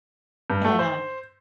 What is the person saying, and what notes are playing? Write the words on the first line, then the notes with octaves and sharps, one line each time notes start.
And, uh,
G2
A3
C5